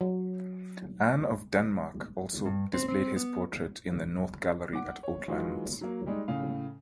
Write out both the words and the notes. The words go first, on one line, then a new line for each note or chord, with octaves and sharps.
Anne of Denmark also displayed his portrait in the north gallery at Oatlands.
F#3
G2
C4
C4
B3
F#5 D6
C#5
D#3 E3 F#3 G#3 F4 F#4
F#3 A#3
G3 G#3 D#4
A2 C#3 F5